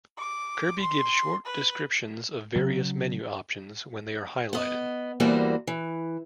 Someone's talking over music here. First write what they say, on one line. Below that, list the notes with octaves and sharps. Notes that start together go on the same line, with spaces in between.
Kirby gives short descriptions of various menu options when they are highlighted.
D6
C6
B4
C#3 F#3
B3 D#5
E2 E3 G3 A#3 F#4 C5
E3